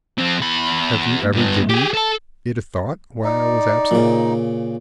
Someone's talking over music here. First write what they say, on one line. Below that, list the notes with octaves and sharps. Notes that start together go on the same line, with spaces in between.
"Have you ever given it a thought, why I was absent?"
F2 C4
E2 B5
G2 B3
G4 G#4
A4 A5
D#4 D5
A#2 C#3